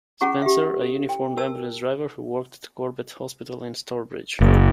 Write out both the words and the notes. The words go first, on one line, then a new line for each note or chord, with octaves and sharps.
Spencer, a uniformed ambulance driver who worked at Corbett Hospital in Stourbridge.
C#4 G#4 F#5 A#5 C#6
G4 E5
A4
G5
A#4 A5 E6
F#1